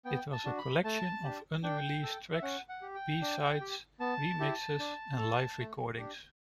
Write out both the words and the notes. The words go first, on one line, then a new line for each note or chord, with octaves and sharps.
It was a collection of unreleased tracks, b-sides, remixes, and live recordings.
B3 G5
A5
D4 F#4
B5
A3 A5
D4 G4
D4 G5
A4
E5
C#4 F#5
F#5
G4
G5
D4
G4
B3 A5
E4 G4
D4
A4
A3
D4 G4